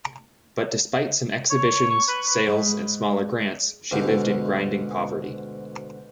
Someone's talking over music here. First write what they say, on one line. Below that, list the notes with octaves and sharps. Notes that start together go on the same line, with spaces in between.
But despite some exhibitions, sales, and smaller grants, she lived in grinding poverty.
C#5
C#6
B4
G#2
D2 G#2 B2 F4 G4 F5